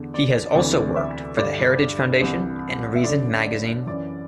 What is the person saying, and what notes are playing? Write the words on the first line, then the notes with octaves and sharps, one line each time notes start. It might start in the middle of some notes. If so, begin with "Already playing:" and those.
He has also worked for the Heritage Foundation and "Reason" magazine.
Already playing: E2 D3
D5
D2 C3 E3 D5
E5
G2 D3 D5
C2 C3 E3
E5
F#2 D3 D5
D5
F#2 E3 D5